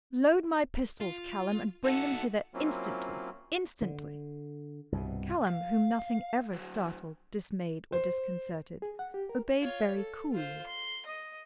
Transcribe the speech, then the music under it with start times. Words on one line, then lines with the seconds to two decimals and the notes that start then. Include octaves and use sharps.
Load my pistols, Callum, and bring them hither instantly-- instantly!' Callum, whom nothing ever startled, dismayed, or disconcerted, obeyed very coolly.
1.00 F4
1.84 D#4 F#4 A4 F#5
2.54 F#3 A#3 C4 C#4 E4 F4
3.82 D3
4.92 C2 G2 B2
5.48 F5
6.53 D3 F#3
7.92 C5
8.82 G#4
8.99 F#5
9.14 G4
9.29 A#4
9.61 F4 C#5
9.96 A4
10.33 F4 C5
10.67 C6
11.07 D#5